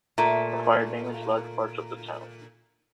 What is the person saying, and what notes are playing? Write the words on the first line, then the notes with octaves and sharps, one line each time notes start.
A fire damaged large parts of the town.
A#2 A3